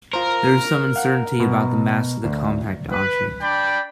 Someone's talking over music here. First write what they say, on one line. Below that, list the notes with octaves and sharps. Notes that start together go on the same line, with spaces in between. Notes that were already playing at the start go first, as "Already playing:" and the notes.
There is some uncertainty about the mass of the compact object.
F4 A#4 C5
F5 F#5
B2
D2
B4
D4 D5 G5 B5